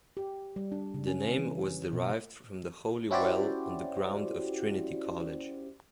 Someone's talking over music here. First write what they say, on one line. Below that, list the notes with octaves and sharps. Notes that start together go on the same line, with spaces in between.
The name was derived from the holy well on the ground of Trinity College.
G4
G3
D4
C#3
C#4
E3
B2
C#4 E4 F#4 G4 C5 D5